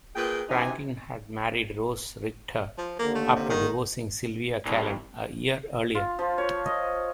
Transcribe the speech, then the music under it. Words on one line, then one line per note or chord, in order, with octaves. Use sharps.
Franklin had married Rose Richter after divorcing Sylvia Calen a year earlier.
A#2 G#4 B4 G5
F#2 C3 E3 D#4 G#5
F3
D#2 D3 A#3
A3
C3
D#3
C2
F4
F3
C#5
D#5